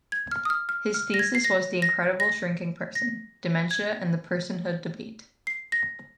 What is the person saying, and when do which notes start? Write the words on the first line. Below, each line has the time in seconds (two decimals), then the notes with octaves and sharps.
His thesis was The Incredible Shrinking Person: dementia and the personhood debate.
0.12 G#6
0.31 F6
0.45 D#6
0.50 F6
0.69 F6
0.94 F6
1.14 A#6
1.19 G#6
1.35 C7
1.44 A#6
1.82 A#6
2.20 A#6
2.95 A#6
3.71 G#6
5.47 C7
5.72 A#6